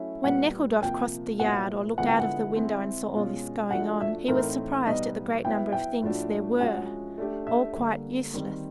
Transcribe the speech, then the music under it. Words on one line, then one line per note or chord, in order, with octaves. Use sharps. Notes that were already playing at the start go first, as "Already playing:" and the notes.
When Nekhludoff crossed the yard or looked out of the window and saw all this going on, he was surprised at the great number of things there were, all quite useless.
Already playing: F#3 A3 C#4 E4
A#2 G3 B3 F#5
C3 F3 A#3 G5
A#2 F#3 B3 E4 F#5
D3 F3 G#3 B3 E4 F#5
G5
F#5
G#3 C4 E4
B2 G#3 C#4 F4
F3 A3 D4 F#4 F#5
E5
A2 E3 A3 C4 D#4 A#4
B2 G3 B3 D#4 D#5
F#3 B3 E4 G5
G5
A2 F3 A3 D4 F#4
F3 G#3 C#4 F#4 F#5
A3 D4 G4
E5
D3 G3 A#3
D#3 G3 C4